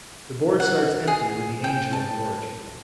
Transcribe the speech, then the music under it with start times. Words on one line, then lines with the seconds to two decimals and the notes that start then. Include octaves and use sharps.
The board starts empty with the angel at the origin.
0.60 F#5
1.07 G#4
1.64 G5
1.93 A5